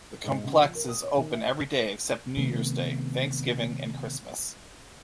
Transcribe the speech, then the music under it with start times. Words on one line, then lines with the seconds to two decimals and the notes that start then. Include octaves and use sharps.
The complex is open every day except New Year's Day, Thanksgiving and Christmas.
0.24 G#2
0.44 C#3
0.61 F3
0.75 A#4
0.89 D#6
1.03 C#5
1.17 D#3
1.33 E5
2.37 C3 D#3 A3 B3